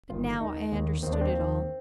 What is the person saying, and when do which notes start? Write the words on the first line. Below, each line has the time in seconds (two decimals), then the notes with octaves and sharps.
But now I understood it all.
0.10 G1 G2 D#3 F4
0.40 D#2 D#3 D#4
0.72 D#2 D#3
1.03 D#2 D#3 C4
1.13 D4
1.21 C4
1.34 D#2 D#3